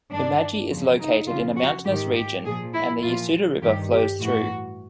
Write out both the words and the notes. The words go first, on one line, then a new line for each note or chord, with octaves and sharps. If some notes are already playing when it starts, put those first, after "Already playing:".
Umaji is located in a mountainous region, and the Yasuda River flows through.
G2 D#3 D4
E2 C#3 F3
D#4
F2 C#3 F3 F4
F#4
G#2 D#3 G4
G4
A#2 F3 G#4
E4
A#2 F3 F4
G2 D#3 G4
G4
A2 E3 F#4